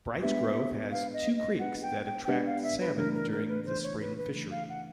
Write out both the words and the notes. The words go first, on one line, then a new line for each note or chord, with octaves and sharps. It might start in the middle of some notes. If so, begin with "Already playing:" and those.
Brights Grove has two creeks that attract salmon during the spring fishery.
G#3 B3 D4 G4 B4 E5
G#3 B3 D4 G4 B4 F5
D#5
D#5
G#3 B3 D4 G4 B4 F#5
G5
G5
G5
G#3 B3 D4 G4 B4 F#5
F5
E5
B4
C#3 E3 A3 D4 A#4
A#4
A#4
B4
C#3 E3 A3 D4 C5
C#5
B4
B4
C#3 E3 A3 D4
F5
F#5